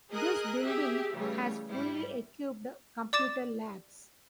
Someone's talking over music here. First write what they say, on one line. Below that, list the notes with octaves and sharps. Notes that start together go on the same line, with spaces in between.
This building has fully equipped computer labs.
G#4 A#4 D#5 D#6 F#6
G4 G#4 E5
C#3 E3 G3 A3 C#5
G#2 G3 E4
D5 D6 A6 E7